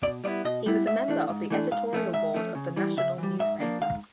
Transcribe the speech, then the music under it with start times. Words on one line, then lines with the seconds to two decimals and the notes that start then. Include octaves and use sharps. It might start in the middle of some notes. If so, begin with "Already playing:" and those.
He was a member of the editorial board of the "National" newspaper.
0.03 B2 D5
0.24 G3 B3 E4 D5
0.45 B2 D#5
0.66 G3 B3 E4
0.86 G#2 E5
1.08 E3 A3 D4
1.29 G#2
1.50 E3 A3 D4
1.71 G#2 F5
1.93 F3 A3 C#4
2.13 G#2 E5
2.34 F3 A3 C#4
2.55 C#3
2.76 E3 G3
2.97 C#3 E5
3.18 E3 G3
3.39 G#2 E5
3.60 F3 A#3 D4
3.81 G#2 F5